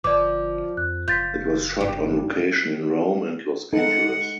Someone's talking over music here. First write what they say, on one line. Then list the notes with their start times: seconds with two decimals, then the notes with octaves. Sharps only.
It was shot on location in Rome and Los Angeles.
0.04 G1 F3 D5 D6
0.77 F2 F#6
1.08 F#1 F4 G6 A6 B6
1.80 G2 G4
3.73 G#3 D#4 A4 F#5